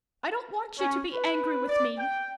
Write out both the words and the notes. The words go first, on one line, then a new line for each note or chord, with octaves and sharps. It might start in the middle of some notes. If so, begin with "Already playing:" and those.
But I don't want you to be angry with me.
C#4
B4
D5
G5